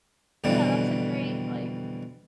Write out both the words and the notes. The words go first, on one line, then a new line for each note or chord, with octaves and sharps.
yeah, that's a great, like
F2 B2 D3 E3 G3 C4